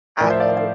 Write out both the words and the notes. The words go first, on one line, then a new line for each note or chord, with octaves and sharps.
act like
A2 F3 A#4 D5
C5 E5
D5 F5